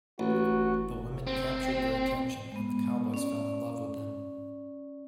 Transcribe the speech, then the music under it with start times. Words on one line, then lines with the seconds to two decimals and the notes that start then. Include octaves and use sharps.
The women captured their attention, and the cowboys fell in love with them.
0.19 A1 F#4
1.27 C4
2.52 G#3 B3
3.14 C#4 D5